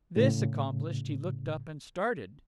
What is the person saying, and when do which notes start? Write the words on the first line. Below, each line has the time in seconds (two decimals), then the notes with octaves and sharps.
This accomplished, he looked up and started.
0.16 A2 C#3